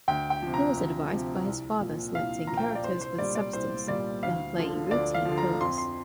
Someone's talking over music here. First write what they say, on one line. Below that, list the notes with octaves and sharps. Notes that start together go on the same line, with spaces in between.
He was advised by his father selecting characters with substance, than playing routine films.
D2 G5
G5
C3 F3
A#5
D2
C3 F3
C2
A#2 F3
C2 F5
A#2 F3 A#5
G5
F5
D5
C2 C5
C5
A#2 G3 D5
D5
C2 C5
A#2 G3 D5
D2 F5
D3 F3
D2 D5
F5
D3 F3
A#5
F2 C6
C6